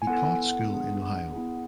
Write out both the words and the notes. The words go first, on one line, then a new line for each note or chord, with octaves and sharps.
He taught school in Ohio.
G#5
B3 E4 A4 F#5
B3 D4 G#4
B3 E4 G#4